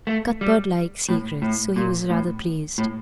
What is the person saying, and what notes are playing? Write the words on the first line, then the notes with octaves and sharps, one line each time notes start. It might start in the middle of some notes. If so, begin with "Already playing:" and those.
Cuthbert liked secrets, so he was rather pleased.
A3
G3
A2
A2
A#2
A2
A2